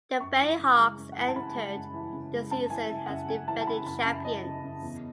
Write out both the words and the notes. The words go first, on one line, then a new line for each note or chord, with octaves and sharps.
The Bayhawks entered the season as defending champions.
F#2 C#6
E3
C#3
G#3
F#2
F#5
E3 G#5
A5
C#3 B5
G#3
F#2
E3
C#3
G#3
F#2 A5
E3 G#5
C#3 E5
F#5
F#2 E5
F#2 G#5
E3 A5
A5
C#3 B5
F#2 B5
B5
F#2 A5
E3 D#5
C#3
F#2
E2